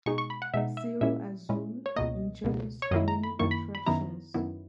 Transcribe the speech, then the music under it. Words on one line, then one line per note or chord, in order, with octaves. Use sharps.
Cerro Azul enjoys many attractions.
B2 G#3 D#4 C#6
C#6
B5
F#5
B2 G#3 D#4 E5
E5
A#2 G#3 C#4 E4 E5
A#2 G#3 C#4 E4
C#5
C#2 B2 A#3 D#5
C#2 B2 A#3
C#5
F#2 D#3 A#3 E4 D#5
A#5
B5
F#2 D#3 A#3 E4 C#6
B5
B5
F#2 D#3 F#3 B3 E4 A#5
F#2 D#3 F#3 B3 E4